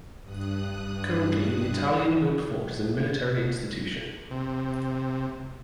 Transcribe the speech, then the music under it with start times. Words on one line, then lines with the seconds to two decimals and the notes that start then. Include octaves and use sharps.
Currently the Italian-built fort is a military institution.
0.22 G2 D#6 F#6
4.31 C3